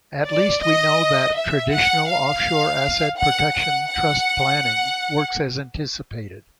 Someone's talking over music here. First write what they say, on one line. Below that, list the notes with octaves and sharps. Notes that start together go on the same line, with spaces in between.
At least we know that traditional offshore asset protection trust planning works as anticipated.
D5
D#5
E5
F#5
F5
F#5
F#5
F#5